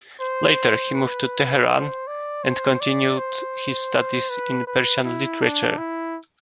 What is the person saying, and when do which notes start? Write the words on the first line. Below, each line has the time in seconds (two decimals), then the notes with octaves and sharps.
Later, he moved to Tehran and continued his studies in Persian literature.
0.21 C5
0.95 B4
1.70 C5
2.07 D5
2.44 C5
2.81 D5
3.18 C5
4.30 B4
4.67 B4
5.04 E4
5.42 D4
5.78 E4